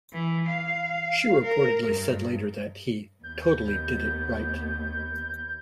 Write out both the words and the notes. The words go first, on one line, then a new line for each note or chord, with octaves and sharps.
She reportedly said later that he "totally did it right".
E3
F5
A#4
G2
D#2 B3 G6